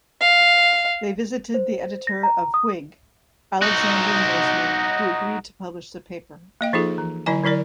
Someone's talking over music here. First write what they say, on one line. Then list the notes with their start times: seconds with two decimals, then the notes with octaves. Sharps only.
They visited the editor of Whig, Alexander Mosely, who agreed to publish the paper.
0.21 F5
1.54 C5
2.07 A#6
2.23 A#5
2.54 D#6
3.62 D#4 F#4
6.61 A#3 D#5 G5
6.73 F3 D#4 F4 G#4 A4
6.98 E3
7.26 D3 F#3 E4 D#5 G#5
7.44 D3 F#3 E4 A#4 D5